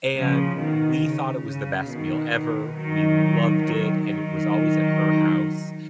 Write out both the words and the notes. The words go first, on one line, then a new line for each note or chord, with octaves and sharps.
and we thought it was the best meal ever, we loved it, and it was always at her house,
C#3 F3
B2 D#3
C#3
C#3
B2 D#3
D#3 F#3
D#3 F#3
D#3 F#3